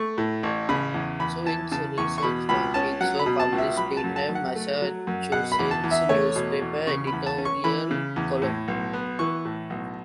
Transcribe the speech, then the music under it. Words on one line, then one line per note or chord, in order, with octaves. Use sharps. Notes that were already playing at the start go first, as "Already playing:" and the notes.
Swint's research findings were published in a Massachusetts newspaper editorial column.
Already playing: A3 C#6
A2
A1
C#3 B5
E2
E2 B5
E3 A5
C#3 A5
E2 C#6
C#6
B2 B5
C#2 B5
C#4 A5
F#3 F#5
B5
B2
A5
C#2
E5
F#3 B5
A5
F#2
A5
F#2
F#5
A3
F#3
F#2
B2 F#5
B5
E2
A5
E2
E5
A3 C#5
B2
E2
C#3 C#6
B5
E2
A5
C#4
C#6
E3 B5
C#3
E2
A2
B1
B3
E3 C#6
A2
B1